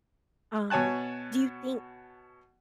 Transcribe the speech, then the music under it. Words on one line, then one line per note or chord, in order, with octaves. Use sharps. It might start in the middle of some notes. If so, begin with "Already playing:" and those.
Um, do you think
B2 C#5 G#5 A5 F#6